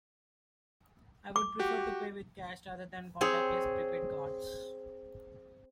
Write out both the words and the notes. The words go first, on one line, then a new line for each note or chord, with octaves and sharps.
I would prefer to pay with cash rather than contactless prepaid cards.
D6
F#4 G4
C4 G#4 C#5